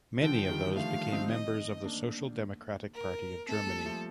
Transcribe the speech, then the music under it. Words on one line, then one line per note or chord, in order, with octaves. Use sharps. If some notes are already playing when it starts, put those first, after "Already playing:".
Many of those became members of the Social Democratic Party of Germany.
D3 F3 G5
D#3 G3
F3 A3 F5
C4 D#4
D#5
A#3 D4
A#4
A3 C4 A4
G3 A#3
F3 A3